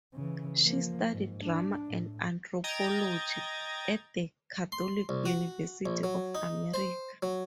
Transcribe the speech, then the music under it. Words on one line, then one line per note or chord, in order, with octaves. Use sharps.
She studied drama and anthropology at The Catholic University of America.
C#3 E3
F3 A#3
G#2
D4
A2
D#5 G5 A#5 G#6 A6
C6
C2
F#4
A#1
F#3
D#4
C5
F#3